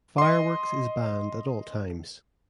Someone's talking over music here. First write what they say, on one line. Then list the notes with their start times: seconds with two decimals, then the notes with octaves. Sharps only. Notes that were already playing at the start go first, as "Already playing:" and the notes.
Fireworks is banned at all times.
0.18 D#5 C6